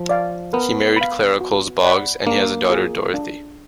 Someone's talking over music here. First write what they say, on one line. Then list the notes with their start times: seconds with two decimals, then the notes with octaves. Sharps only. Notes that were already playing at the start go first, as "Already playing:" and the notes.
He married Clara Coles Boggs and he has a daughter Dorothy.
Already playing: F3
0.09 D5 F5
0.53 B3 A#4
0.96 F5 B5
1.41 F#4
1.83 D5 F#5 B5
2.26 A#3 D4
2.70 F4 G#4
3.14 D4